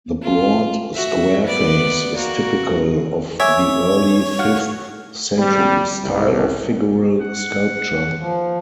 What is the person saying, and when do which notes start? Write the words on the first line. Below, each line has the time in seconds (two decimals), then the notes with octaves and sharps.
The broad square face is typical of the early fifth-century style of figural sculpture.
0.22 F4
0.93 F#4 E5
1.44 B3 D5
2.16 A#3 F#4
3.40 C#5 E5 G#5 D6
4.39 F#4 F5 F#5
5.38 G3
6.03 C2
7.21 F#5
8.18 F3